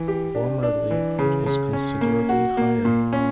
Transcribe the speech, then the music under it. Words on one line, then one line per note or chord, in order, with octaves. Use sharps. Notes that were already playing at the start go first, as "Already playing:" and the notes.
Formerly it was considerably higher.
Already playing: E3
G4
D4
D4
E3
C#3
C#3
C#4
A#3
F#4
A#3
A#2
C#4